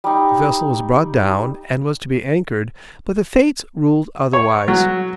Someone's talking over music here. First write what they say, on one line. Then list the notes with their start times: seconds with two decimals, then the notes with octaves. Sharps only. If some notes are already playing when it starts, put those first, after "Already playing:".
The vessel was brought down, and was to be anchored, but the Fates ruled otherwise.
0.04 G3 D#4
4.33 C#5
4.68 F#3